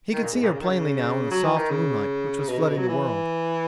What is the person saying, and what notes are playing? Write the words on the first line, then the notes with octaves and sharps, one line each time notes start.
He could see her plainly now in the soft moonlight which was flooding the world.
D#3
A#2
G#2
A#2
C#3
D#3
C#3
F#3
E3
D#3
C#3
B2
C#3
B2
F#3
E3